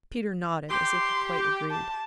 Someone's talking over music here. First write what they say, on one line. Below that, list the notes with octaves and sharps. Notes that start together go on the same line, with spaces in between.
Peter nodded as if he quite agreed.
G4 C6
A5